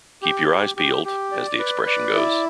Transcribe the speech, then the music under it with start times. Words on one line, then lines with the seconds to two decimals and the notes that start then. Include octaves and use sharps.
"Keep your eyes peeled", as the expression goes.
0.22 G4
0.49 G4
0.77 G4
1.05 G4
1.32 D5
1.59 B4
1.87 D5
2.15 E4